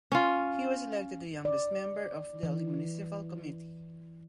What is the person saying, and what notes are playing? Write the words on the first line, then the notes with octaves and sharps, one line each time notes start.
He was elected the youngest member of Delhi Municipal Committee.
C#4 F4
D5
E3